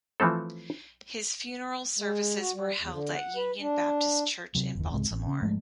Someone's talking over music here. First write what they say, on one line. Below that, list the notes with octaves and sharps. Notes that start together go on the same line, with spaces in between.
His funeral services were held at Union Baptist Church in Baltimore.
E3 F3 A3 C4 A4
G#3
F#4
G3
E2
D3
F#5
B4
D4
C3 F#3
F#1 D#2
C#2 G#2 C3
A1
C#3
G#2 F3 G#3 A3